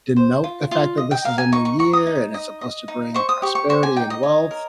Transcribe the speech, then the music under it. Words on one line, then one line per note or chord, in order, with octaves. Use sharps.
denote the fact that this is a new year and it's supposed to bring prosperity and wealth."
C5
F4
F4
D#5
G5
A#4 F5
G#5
D#4 C#6
C#6
A#4 C#6
D#6
D#4
D#5
D#5
D#4
C5 C#6
D#6
G4 C#6
C#6
C5 C#6
G#5
D#4 G5
D#5
C#5
A#4